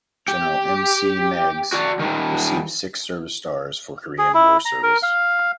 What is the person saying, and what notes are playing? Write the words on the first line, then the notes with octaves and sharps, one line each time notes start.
"General M. C. Meigs" received six service stars for Korean War service.
G4
F#4 D5
D#3 G3
G#4
E4
A#5
A#4
F5